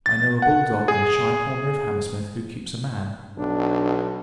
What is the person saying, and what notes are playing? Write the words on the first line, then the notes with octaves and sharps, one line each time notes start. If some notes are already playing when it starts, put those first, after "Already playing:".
I know a bull-dog in a shy corner of Hammersmith who keeps a man.
A6
F#5
G#4
B1 D4